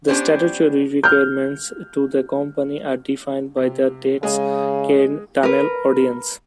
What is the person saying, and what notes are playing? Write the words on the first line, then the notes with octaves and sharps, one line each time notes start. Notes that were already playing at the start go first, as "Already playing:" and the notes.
The statutory requirements to the Company are defined by the Tate's Cairn Tunnel Ordinance.
B3 C#4 D4 G4 C5
F6 G6
C3
C#3 G#3 D#5 G#5
A#4 B4